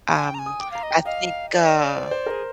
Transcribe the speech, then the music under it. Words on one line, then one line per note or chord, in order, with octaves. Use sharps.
Um, I think, uh
G#5
G5
A#5
G#5
D#6
G5 D6
F5 A#5
D#5
G5
D#5 F5
D5
C5
C5
G#4 A#4